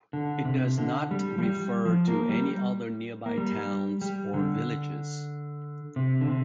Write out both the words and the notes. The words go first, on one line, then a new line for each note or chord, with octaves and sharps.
It does not refer to any other nearby towns or villages.
D3
C3
D3
G3
F3
G3
F3
A#3
G3
A#3
G3
G3
D3
C3
D3
C3